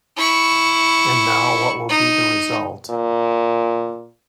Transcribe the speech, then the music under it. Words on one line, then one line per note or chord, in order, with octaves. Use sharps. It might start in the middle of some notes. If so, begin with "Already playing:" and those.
And now what will be the result?
E4 C#6
D#4
A#2